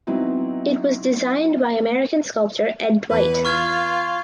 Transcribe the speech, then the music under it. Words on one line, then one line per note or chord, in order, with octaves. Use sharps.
It was designed by American sculptor Ed Dwight.
F#3 B3 C4 D#4 E4
E2 B4
F4 C#6 F6 G#6